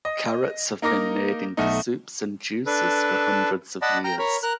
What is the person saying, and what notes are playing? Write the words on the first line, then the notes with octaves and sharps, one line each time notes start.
Carrots have been made into soups and juices for hundreds of years.
D#5
A#3 D#4 A#4 D6 A#6
B1 A3 D#4
D4 A4 B4
D5 D#5 F#5 A5 B5
G5 A#5 F6
A#4 C#5 B5
A#4 F#6